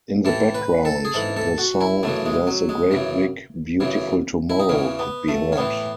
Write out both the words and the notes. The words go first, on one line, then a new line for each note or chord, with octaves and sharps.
In the background, the song "There's a Great Big Beautiful Tomorrow" could be heard.
A2 E3 A4
B4
A4
G#4
G#2 E3 A4
A4
F#4
E4
F#2 C#3 E3 A3
G#3
F#3
G#3
F#2 C#3 E3
F#2 C#3 E3
E4
D#4
E2 C#3 E3 C#4
B3
A3
C#4
A2 E3 B3